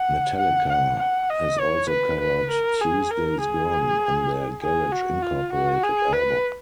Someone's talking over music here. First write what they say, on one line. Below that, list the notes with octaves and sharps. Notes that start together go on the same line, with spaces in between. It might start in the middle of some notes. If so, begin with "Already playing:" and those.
Metallica has also covered "Tuesday's Gone" on their "Garage Incorporated" album.
Already playing: F#5
F#5
F#5
F#5
D#5
C#5
B4
B4
A#4
G#4
A#4
G#4
G#4
F#4
F4
F#4
G#4
B4